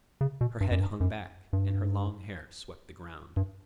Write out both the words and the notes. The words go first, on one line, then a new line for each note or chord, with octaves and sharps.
Her head hung back, and her long hair swept the ground.
C#3
B2
G2
F#2
G2
F#2
G2
G2